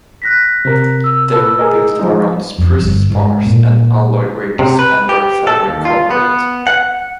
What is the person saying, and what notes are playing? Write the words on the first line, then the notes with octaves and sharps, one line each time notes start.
They were built around spruce spars and alloy ribs and were fabric covered.
F#6 A#6 B6
C3 A#4
E6
A4 B4 E6
G#4 A#4 D#5
F3 G#3 D#4
F2
G1
G#2
A#2
C3
B4
G4
A4
D#2
F4
B3
F#5